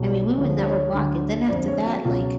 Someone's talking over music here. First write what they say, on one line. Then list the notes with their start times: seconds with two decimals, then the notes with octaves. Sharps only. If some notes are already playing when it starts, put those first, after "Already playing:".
I mean, we would never block it. Then after that, like,
Already playing: B1 B2 F#3
0.10 D5
0.37 D2 D3 F3 C#5
0.57 D5
0.66 C#5
0.93 D2 D3 F#3
1.48 F2 D3 F3 D5
1.68 C#5
1.85 F#4
2.04 C#2 B2 F#3 F4